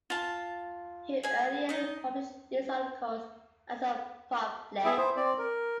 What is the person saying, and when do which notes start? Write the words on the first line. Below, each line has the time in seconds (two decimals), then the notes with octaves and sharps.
He earlier published these articles as a pamphlet.
0.10 F4 A5
1.23 G#4 G#5
1.69 D#4 D#5
4.85 B3 E4 G#4 E5
4.97 C5
5.17 C4 D5
5.38 A#4